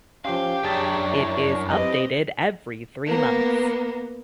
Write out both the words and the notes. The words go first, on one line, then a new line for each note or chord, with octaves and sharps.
It is updated every three months.
F3 C#4 G4 F5
F#2 D4 G#4 C#5 A5 A6
E4
C4 G4 B4 D#5
A#3 B3